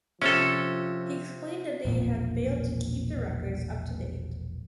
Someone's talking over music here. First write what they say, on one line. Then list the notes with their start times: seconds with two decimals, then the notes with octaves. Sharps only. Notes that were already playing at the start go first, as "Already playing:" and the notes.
He explained that they had failed to keep the records up to date.
0.22 C3 F3 C#4 A4
1.85 E1 A#1 A#2